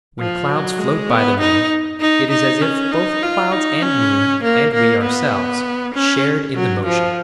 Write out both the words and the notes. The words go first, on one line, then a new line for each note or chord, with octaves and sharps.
When clouds float by the moon, it is as if both clouds and moon and we ourselves shared in the motion.
F3
F#3
G#3
B3
D#4
D#4
D#4
C#4
D#4
F4
D#4
C#4
A#3
A#3
B3
C#4
F#3
F3